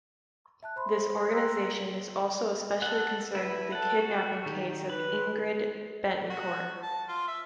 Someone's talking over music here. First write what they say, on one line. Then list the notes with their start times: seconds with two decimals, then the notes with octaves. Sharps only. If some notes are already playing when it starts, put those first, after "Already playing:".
This organization is also especially concerned with the kidnapping case of Ingrid Betancourt.
0.63 E5 A5 F#6
0.76 C5 B5 C6
1.32 G5 A#5 C6 E6 F#6 B6
2.82 A4 F#5
3.35 E4 B4
3.72 A4 F#5
3.99 F#4
4.46 D#3 G4
4.90 B4 B5
6.30 F#4
6.83 A5
7.08 F4
7.28 E5